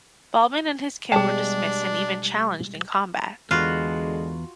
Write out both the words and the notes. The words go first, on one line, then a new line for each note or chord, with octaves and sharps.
Balban and his kin were dismissed and even challenged in combat.
B2 G3 G#3 D4 G#4 G5 A5
E2 D3 G#3 F4 F#4 B4